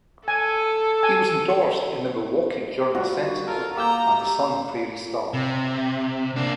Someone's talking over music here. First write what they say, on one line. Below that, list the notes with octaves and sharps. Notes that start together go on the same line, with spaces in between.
He was endorsed in the "Milwaukee Journal Sentinel", and the "Sun Prairie Star".
A4 G#5
G#5
G3 F4 F#4
F4 A4 A#4
A#3 G4 A#5 E6 G6
C3
A#3 D4